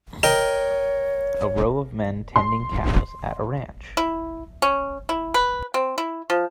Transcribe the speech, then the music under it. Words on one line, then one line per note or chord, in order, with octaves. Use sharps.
A row of men tending cows at a ranch.
A#4 C#5 D#5 G5
C6
E4
C#4
E4
B4
C4
E4
F3